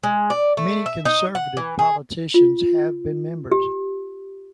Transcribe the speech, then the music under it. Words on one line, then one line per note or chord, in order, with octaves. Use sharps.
Many Conservative politicians have been members.
G#3
D5
A3
E5
D#4
F#5
E3
G#4
F4
G4